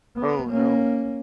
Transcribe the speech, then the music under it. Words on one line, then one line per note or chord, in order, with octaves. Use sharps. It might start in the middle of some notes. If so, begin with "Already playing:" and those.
Oh, no.
B3
A#3 C#4